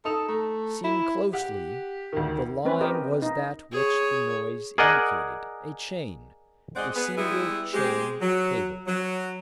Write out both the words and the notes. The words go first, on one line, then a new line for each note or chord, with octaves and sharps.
Seen closely the line was that which the noise indicated, a chain--a single chain cable.
D#4 A4 D#6 F7
A3 A#5
E4
G4 F#5
D2 D#3
C4 C#4 B4
G4 A#4 D#5 G5
D#4
G#4 C#5
G#4 A#4 D5 D#5 F#5 G#5
G#3 C4 G#4 D5 D#5 F#5
B3 G#4 B4
G3 G#3 B3 E4 G#4
G#3 C4 G4
F#3
F#3